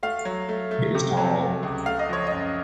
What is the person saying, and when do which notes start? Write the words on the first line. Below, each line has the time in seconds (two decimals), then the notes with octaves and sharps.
It is tall.
0.03 A3 F5
0.25 F#3
0.49 A3
0.71 A3
0.95 C3
1.17 F#3
1.40 A3
1.63 C#2
1.86 A3 F5
1.99 D#5
2.09 F3 C#5
2.27 D#5
2.32 F#2